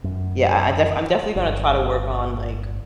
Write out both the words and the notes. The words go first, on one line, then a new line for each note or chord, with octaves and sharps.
yeah, I I defi I'm definitely gonna try to work on, like,
F#2
G1